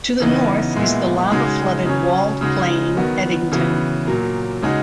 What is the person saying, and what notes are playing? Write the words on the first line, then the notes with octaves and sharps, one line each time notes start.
To the north is the lava-flooded walled plain Eddington.
C#3 E3 B3 D#4
A#2 G#3 B3 E4
C#3 G#3 D#4 F#4
C#3 F#3 C#4
C#3 G#3 D#4 F#4
D#3 F#3 B3 F#4
C#3 E3 B3 F#4
A#2 F#3 A#3
C#3 G#3 D#4 F#4